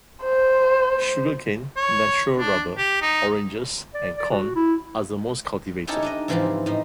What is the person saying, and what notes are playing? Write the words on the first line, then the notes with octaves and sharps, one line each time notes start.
Sugarcane, natural rubber, oranges and corn are the most cultivated.
C5
C#5
D4
G4
D#4
D5
D5
F#4
E4
C#4 D#4 E4 G4 A4 C#5
D4 D#4 D#5
G#2 C#3 E3 F3 C4 G4
A2 D#4